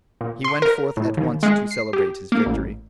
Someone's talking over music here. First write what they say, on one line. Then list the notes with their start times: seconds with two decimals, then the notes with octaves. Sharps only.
He went forth at once to celebrate his victory.
0.21 A#2
0.44 C6
0.62 A#4
0.97 A2
1.17 D#2
1.43 G#3
1.71 C7
1.93 G4
2.32 A#3
2.46 A1